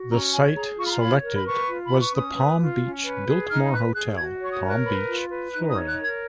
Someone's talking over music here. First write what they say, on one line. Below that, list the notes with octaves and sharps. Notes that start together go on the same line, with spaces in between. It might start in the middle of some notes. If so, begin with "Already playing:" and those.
The site selected was the Palm Beach Biltmore Hotel, Palm Beach, Florida.
Already playing: F#4
C#4 A#5
C#5 G#5
G#4 A#5
F4 C#6
B5
A#5
C#5 B5
A#4
B5
B4 C#6
F4
B4 B5
C#6
C#4 D#6
B4
F4
C#4
B4
G#4
D#4 F6
B4 F#6
G#4 F#6
F#4 G#6
C#5 C#6
D#6
A#4
F#6
B4 B5
F4
B4
D#4 F#6
D#6
C#5
F#6
A#4 G#6